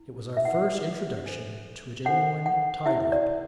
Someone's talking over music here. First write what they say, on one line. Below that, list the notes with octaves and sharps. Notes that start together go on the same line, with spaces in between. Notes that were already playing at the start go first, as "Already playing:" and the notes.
It was our first introduction to a genuine tide rip.
Already playing: E4
E5
E4 B4 F#5
D4 A4 C5
D4 A4 C5 F#5
F#5
E4 B4 E5
D5